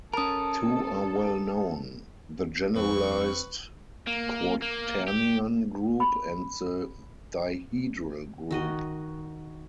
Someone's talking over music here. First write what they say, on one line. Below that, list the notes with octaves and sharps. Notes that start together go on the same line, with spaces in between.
Two are well known, the generalized quaternion group and the dihedral group.
C#4 A4 A#4 A5 D#6
F2 C4 B4 C#6
A#3
A#3
G4
B5
D#3 F#4 D#5